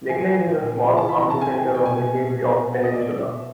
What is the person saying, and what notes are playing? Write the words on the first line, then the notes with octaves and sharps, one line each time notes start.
Lakeland is a small farming centre on the Cape York Peninsula.
F3 G#5
F3
F3
A#2
A#2
F3
E3 A5
E3 B5
A#5
C3 A5
C3 G#5
E3 G5
G#5
C3 G5
B2 G#5
B2
B2
B2
B2
B2
B2 F#5
B2 D#5
D5
B2
B2 E5
B2